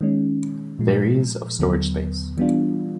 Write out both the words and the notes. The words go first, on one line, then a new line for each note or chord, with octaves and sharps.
There is of storage space.
D#3 G#3 C#4
A#2 F3 G#3
D#2 D3 F#3 B3
E3 G3 B3 D4 F4